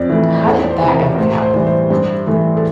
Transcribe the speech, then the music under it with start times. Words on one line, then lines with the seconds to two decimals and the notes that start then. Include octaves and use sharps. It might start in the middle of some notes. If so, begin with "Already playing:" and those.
How did that ever happen?
Already playing: F2 D5
0.09 E3 A3
0.45 E2 A4
0.63 D5
0.70 C5
0.82 C3 E3
0.94 A#4
1.18 A2 C5
1.42 C5
1.54 E3 G3
1.67 C5
1.90 G2 C5
2.26 E3 A3
2.57 A4